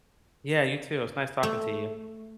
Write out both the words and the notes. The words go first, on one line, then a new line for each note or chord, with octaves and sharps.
Yeah, you too. It was nice talking to you.
A3